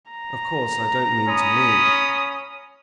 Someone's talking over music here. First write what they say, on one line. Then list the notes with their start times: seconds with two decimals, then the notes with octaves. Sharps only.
"Of course I don't mean to me."
0.11 A#5
1.29 C#4 B5 D#6